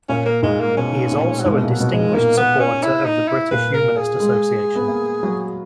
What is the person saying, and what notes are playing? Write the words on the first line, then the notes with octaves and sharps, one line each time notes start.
He is also a Distinguished Supporter of the British Humanist Association.
A#2 C#4
A#3
G#2 G#3
A#3
B2 C#4
A#2
F#3
G#2 G#3
B2
A#2
F#3
B2
G#3
B2
A#2 A#3
B3
C#4
E4
D#4
E4
A#2 B4
A#4
G#4
G#3
B3
A#3
F#3